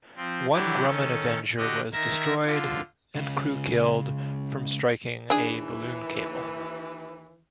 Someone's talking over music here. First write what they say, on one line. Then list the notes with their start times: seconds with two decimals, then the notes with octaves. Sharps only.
One Grumman Avenger was destroyed, and crew killed, from striking a balloon cable.
0.16 F3 C4
0.53 D3 E3 F#3 D4 E4 G4
0.87 D#3 C#4 A4
1.57 D3 F#4 G4 D#5 F#6
1.93 D#3 A#4 E5 E6 G#6 A#6
2.45 D3 F4
3.15 C#2 C#3
5.30 D#2 E3 D4 G#4